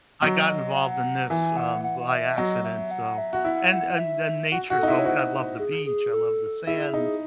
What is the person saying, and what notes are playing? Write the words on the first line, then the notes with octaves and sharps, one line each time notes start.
I got involved in this, um, by accident so and and and nature's alw I love the beach, I love the sand,
F#3 D#5
D#5
F#5
E3 G#5
F#5
F#5
F#5
E5
F#3 D#5
E5
F#5
E5
F#4
E4 F#5
F#5
E5
F#4
F#4
D#4 A4
E4
C#5
F#4 C5
G#4
G#4
A4
E4 G#4
D#4